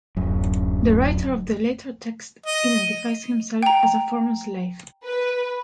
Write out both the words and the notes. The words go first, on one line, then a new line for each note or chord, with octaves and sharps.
The writer of the later text identifies himself as a former slave.
D1 F#2
D#5
G5 A#5
B4